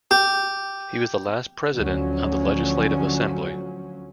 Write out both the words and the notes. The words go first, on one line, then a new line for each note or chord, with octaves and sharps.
He was the last president of the Legislative Assembly.
G4
D2 F3 F#3 C#4